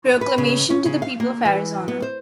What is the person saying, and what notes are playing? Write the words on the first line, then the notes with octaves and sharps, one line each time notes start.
Proclamation to the People of Arizona.
B4
C#3
C#4
C#3
F5
A#3
E3
B3
C5